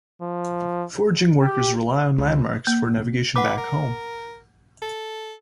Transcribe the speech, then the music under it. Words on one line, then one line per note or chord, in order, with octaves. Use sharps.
Foraging workers rely on landmarks for navigation back home.
F3
G4
C#2
A#3
B4 F#5 D6
A#4
A4